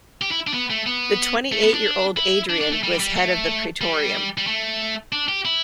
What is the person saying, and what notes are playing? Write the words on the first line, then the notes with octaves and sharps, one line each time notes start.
The twenty-eight-year-old Adrian was head of the praetorium.
G4
E4
D4
B3
A3
B3
A3
B3
D4
E4
D4
D4
A3
G3
G3
A3
G3
G3
A3
D4
G4
E4